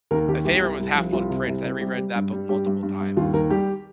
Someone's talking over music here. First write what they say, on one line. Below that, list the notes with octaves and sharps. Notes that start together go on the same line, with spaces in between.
My favorite was Half-Blood Prince, I reread that book multiple times.
D#2 A#4
D#2 G4
C2 G4
C2
C2
F3
C2 F4
C3
C2
C3
G3 G4
G3
G2
G3
G2 G4
G2
G2
G2
D#2 F4
D#2 A#4
G3 G4